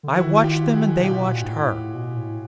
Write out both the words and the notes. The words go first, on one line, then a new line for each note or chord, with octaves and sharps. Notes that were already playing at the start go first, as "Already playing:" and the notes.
I watched them and they watched her.
D3
D#3 E4 F#4
F4 G4
F#4 G#4
C3
B2 F4 G4
A#2
G#2
A2
A2
B2
A2